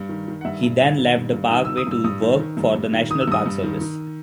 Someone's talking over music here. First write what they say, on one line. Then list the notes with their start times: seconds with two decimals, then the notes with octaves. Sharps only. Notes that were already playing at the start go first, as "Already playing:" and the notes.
He then left the Parkway to work for the National Park Service.
Already playing: G2
0.09 D#3
0.28 D#3
0.41 F#5
0.45 G2 E5
0.63 G2
0.81 D#3
0.98 D#3
1.16 G2
1.33 G2
1.51 D#3 D#6
1.65 E6
1.69 D#3
1.77 D#6
1.87 G2 E6
2.04 G2 D#6
2.22 D#3
2.39 D#3
2.57 G2
2.75 G2
2.92 D#3
3.10 D#3 D#6
3.21 E6
3.28 G2 D#6
3.46 G2
3.63 D#3
3.81 D#3